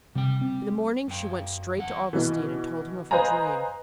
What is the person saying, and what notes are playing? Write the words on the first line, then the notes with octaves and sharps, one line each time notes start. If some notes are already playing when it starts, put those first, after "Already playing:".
In the morning she went straight to Augustine and told him of her dream.
C3 G3 G5
C4
F#2 G5
E2 F#5
B2 E3
B4 C5 D#5 F5 G#5 A#5